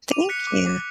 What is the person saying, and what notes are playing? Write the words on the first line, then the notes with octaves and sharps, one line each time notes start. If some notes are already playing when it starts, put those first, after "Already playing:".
Thank you.
D6 D#7 F7
F#6 B6 C#7
D6
D6